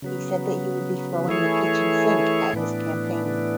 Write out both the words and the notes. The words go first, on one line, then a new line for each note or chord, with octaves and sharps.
He said that he would be "throwing the kitchen sink" at his campaign.
C#3 F#3 B3
E3 A3 E4 G#4 C#5
A2 E3 B3 D4